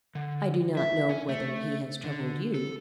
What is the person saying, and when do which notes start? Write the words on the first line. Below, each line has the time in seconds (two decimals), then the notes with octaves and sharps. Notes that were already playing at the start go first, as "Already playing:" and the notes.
I do not know whether he has troubled you.
0.15 D3
0.77 E5
1.09 C#4
1.29 A3
2.04 D3
2.54 A4